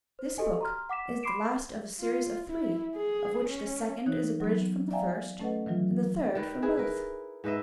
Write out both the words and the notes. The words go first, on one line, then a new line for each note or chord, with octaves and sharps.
This book is the last of a series of three, of which the second is abridged from the first, and the third from both.
C5
F#4 G4 A4 D#5 G#5
A#5 C6 F6
F#5 D6 B6 E7
B5 C6 D6 C7 D7 E7
F4
E4
G#4
C#4
E3 D#4 C#5 F#6
F#3 B3
D5 E5 F5 G5 G#5 A#5
A3 C#4 A4 B4 D#5 F#5
D#3 E3 F#3 F4
D#3 B4
E4 G#4 B4
A#4 B4
G#2 B4 D#5 E5